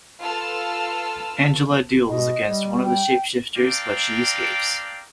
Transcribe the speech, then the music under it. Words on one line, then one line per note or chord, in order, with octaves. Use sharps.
Angela duels against one of the shapeshifters but she escapes.
F4 A4 B4 A5 E6 F6
B2 D#5
G3
G5
C4 D4 A#4 D5 F5 G5